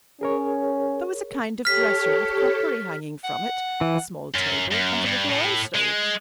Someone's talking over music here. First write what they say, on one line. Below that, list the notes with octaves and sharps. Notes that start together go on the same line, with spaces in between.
There was a kind of dresser with crockery hanging from it, a small table and a little oil stove.
C#4 G#4 A#4 C#5
G4 A4 C#5 F6 B6
F#5
E3
F#2
F#2
G2
A2
G#3